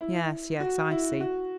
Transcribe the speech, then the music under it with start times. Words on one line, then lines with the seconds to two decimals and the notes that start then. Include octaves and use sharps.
Yes, yes; I see.
0.01 E4
0.60 F#4
0.91 E4
1.20 F#4